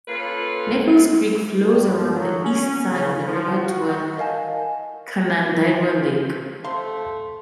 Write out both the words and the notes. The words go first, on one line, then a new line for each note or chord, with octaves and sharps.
Naples Creek flows around the east side of the river toward Canandaigua Lake.
A#3 C#4 F4 A4 B4
G2
F#3
C#4
C#3
F3
F#4
A#4 D#5 F5 G#5 A5
A3 C5 F5 C6